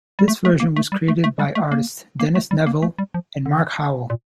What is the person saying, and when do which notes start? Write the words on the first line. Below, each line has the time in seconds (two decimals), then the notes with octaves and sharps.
This version was created by artists Dennis Neville and Mark Howell.
0.19 G3
0.28 A3
0.45 A3
0.60 A#3
0.76 A3
0.92 G3
1.08 A3
1.24 A3
1.39 G3
1.55 A3
1.72 A#3
2.20 A#3
2.35 A3
2.51 G3
2.66 A#3
2.82 A3
2.99 G3
3.14 F3
3.46 D3
4.10 A#2